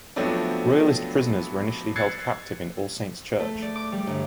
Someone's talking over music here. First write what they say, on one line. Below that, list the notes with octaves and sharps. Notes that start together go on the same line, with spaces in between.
Royalist prisoners were initially held captive in All Saints Church.
F3 F#3 A3 B3 C4 D4
E6 F#6 G#6 A6 C7 C#7
A3
D5
D6
G3
G1